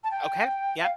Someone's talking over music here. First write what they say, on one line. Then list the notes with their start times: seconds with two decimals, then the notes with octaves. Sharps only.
Okay, yep.
0.04 A5
0.11 G5
0.79 F5